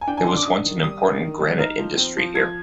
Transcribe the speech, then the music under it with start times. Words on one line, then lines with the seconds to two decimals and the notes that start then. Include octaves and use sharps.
There was once an important granite industry here.
0.01 G#5
0.07 D4 G5
0.17 G#5
0.26 D4 C6
0.37 D6
0.45 D4 D#6
0.65 D#3
0.84 G3 D#6
1.02 D4
1.22 D#3
1.40 G3
1.59 D#4 F6
1.78 F3
1.97 C4
2.17 F3
2.35 F3 G#6